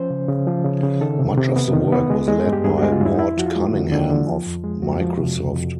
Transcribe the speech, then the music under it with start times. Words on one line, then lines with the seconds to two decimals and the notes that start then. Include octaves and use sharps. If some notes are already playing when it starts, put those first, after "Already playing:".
Much of the work was led by Ward Cunningham, of Microsoft.
Already playing: F3 C#4 C5
0.10 C#3
0.28 C#3
0.47 F3
0.65 C#3
0.83 C#3
1.01 D#3 A4
1.19 C3
1.37 C3
1.56 B3
1.73 D#3
1.92 B3
2.10 G#3
2.28 G#3
2.47 G2
2.53 G4
2.64 G2 G#4
2.78 G#3 F#4
2.92 F4
3.00 G2 E4
3.14 D#4
3.19 F2 E4
3.37 F3 F#4
3.46 F4
3.56 G#3
3.73 D3
3.92 D3
4.10 D3
4.28 F3
4.46 F2
4.64 G#3
4.82 F2 F#4
5.00 F3
5.19 C3
5.36 F2
5.54 F2